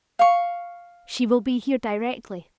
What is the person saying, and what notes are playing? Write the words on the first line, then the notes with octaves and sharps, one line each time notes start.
"She will be here directly."
F5 C#6